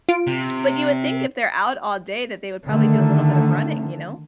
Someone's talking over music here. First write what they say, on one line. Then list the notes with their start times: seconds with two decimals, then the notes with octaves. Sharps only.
But you would think if they're out all day that they would probably do a little bit of running, you know?
0.09 F4 D7
0.27 C3
2.68 D3 D#3 A3